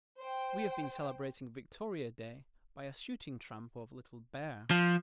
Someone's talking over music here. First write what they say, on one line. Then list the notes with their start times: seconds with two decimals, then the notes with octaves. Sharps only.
We have been celebrating Victoria Day by a shooting tramp over Little Bear.
0.19 C5 G5
4.71 F3